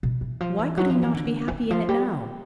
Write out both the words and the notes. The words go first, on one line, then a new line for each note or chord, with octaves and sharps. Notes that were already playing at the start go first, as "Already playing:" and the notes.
Why could he not be happy in it now?
B2
E3
F3
E3
F#3
F3
E3
D3
E3
D#3
F3
G3